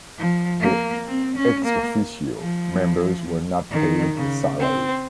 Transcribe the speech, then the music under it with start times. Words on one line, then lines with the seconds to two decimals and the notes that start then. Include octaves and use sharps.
The "ex officio" members were not paid a salary.
0.17 F3
0.61 A#3
1.05 C4
1.35 C#4
1.64 A#3
2.39 F3
3.71 D#3
4.14 C#3
4.59 C4